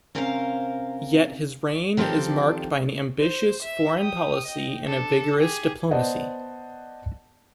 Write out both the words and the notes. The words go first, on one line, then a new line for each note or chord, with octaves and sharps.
Yet his reign is marked by an ambitious foreign policy and a vigorous diplomacy.
C3 C#4 A#4 C5 E5 F5
D#3 F3 C4 C#4 G4 A4
C5
E5
G5 D#6
D#5 G5
D4 A4
G4 G#4
B3 C5 D5 D#5 F#5 A5